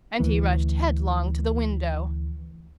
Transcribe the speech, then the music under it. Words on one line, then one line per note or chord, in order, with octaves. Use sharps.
And he rushed headlong to the window.
D2 E3